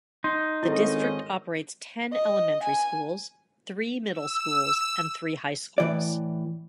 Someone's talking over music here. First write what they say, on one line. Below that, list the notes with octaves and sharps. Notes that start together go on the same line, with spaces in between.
The district operates ten Elementary Schools, three Middle Schools and three High Schools.
D#4 C6
G#1 C#4 E4 A4 D#5
D#5
G#5
E6
A2 E3 D5